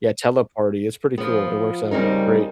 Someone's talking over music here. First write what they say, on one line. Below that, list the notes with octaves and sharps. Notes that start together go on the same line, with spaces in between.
Yeah, Teleparty, it's pretty cool. It works out great
F3 B3
C#3 G3 C4 D#4 A#4